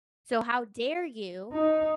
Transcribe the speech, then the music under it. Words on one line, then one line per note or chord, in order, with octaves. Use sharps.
So how dare you?"
D#4